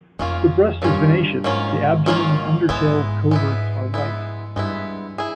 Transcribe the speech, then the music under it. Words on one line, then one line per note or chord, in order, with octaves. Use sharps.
The breast is vinaceous, the abdomen and under tail coverts are white.
F2 D#3 F#3 A#3 C#4 F4
G2 D#3 F#3 A#3 C#4 F4
G#2 D#3 F#3 A#3 C#4 F4
D#3 F#3 A#3 C#4 F4
G#2 G#3 B3 E4
G#3 B3 E4
G#3 B3 E4
G2 G#3 B3 E4
E4 G#4